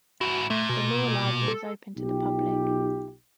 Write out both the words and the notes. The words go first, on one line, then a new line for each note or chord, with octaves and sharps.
The Law Library is open to the public.
G#2 E4 F#4
A#2 A3
B2
A4
B1 D#4 F4 G4